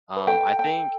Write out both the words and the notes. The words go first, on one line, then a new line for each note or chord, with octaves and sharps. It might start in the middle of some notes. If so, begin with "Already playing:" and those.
Um, I think
B4
A4 G5
G5